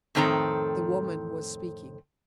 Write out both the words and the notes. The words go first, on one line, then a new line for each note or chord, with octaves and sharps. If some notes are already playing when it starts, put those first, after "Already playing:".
The woman was speaking.
F2 A2 D#3 C4 A4 A#5